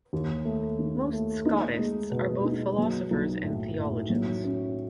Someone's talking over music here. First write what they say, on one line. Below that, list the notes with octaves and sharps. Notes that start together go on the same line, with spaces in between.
Most Scotists are both philosophers and theologians.
D#2
A3
D#3
A3
D#4
G#3
B2
D#4
F#3
B1
A2
A2
F#3
C#4